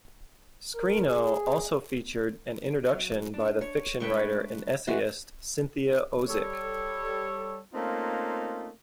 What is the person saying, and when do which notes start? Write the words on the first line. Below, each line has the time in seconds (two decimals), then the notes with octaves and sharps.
"Screeno" also featured an introduction by the fiction writer and essayist, Cynthia Ozick.
0.75 A#4
1.07 G#4
2.94 F#3
3.34 D4
3.61 C#5
4.00 G#3 A3 D4 B4 G5 C#6
4.87 E3 G#3 F#4
6.28 G3 A4 C#5
7.74 A3 A#3 C4 C#4 D#4 F4